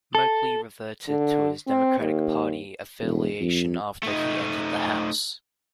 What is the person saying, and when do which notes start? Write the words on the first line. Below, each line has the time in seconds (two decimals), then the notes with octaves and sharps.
Moakley reverted to his Democratic party affiliation after he entered the House.
0.15 A4
1.08 D3
1.67 C4
2.00 D#2
3.01 E1
3.41 F2
4.03 A3 D#4